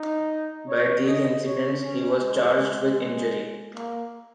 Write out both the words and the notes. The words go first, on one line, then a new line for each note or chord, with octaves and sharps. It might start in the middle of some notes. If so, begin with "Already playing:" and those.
By these incidents he was charged with injury.
Already playing: D#4
C#5
D#5
C#5
C#4
G#3
G#3
A#3